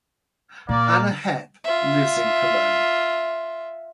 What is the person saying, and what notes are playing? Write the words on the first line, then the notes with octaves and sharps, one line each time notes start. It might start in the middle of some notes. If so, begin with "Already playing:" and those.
Anna Hepp lives in Cologne.
A#2 A#3 D5
F4 E5